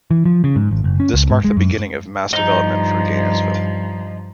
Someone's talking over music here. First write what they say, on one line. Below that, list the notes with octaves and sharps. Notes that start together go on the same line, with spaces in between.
This marked the beginning of mass-development for Gainesville.
E3
F3
C#3
G#2
G#1
F#1
C#4
C#2
G#2
G#3
F#2
G2 F3 D#4